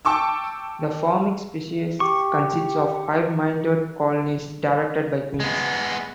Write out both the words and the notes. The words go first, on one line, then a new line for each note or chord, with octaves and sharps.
The Formic species consists of hive-minded colonies directed by queens.
G5 A5 C#6 D6 E6
G4 C#6 D6
G#3 B3